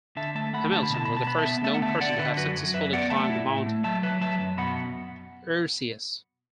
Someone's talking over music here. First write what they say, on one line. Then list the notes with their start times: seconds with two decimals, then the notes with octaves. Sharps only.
Hamilton was the first known person to have successfully climbed Mount Erciyes.
0.17 D3 E5 A5
0.35 A3 E5 A5
0.53 A3 F#5 B5
0.71 D3 A5
0.83 B5
0.90 B2 A5
1.05 B2 B5
1.17 A5
1.27 B3 B5
1.39 E5 A5
1.45 B3
1.63 A3 E5 A5
1.74 F#5
1.82 D3 E5 A5
2.00 D3 D5 F#5
2.19 D3 B4 E5
2.37 F#2 F#4 B4
2.56 F#3
2.74 F#2 B4 E5
2.92 B3 D5 F#5
3.10 A3 E5 A5
3.29 E4
3.47 A2
3.66 A3
3.84 F#3 E5 A5
4.02 F#3 B4 E5
4.21 F#3 E5 A5
4.40 F#2
4.58 B2 F#5 B5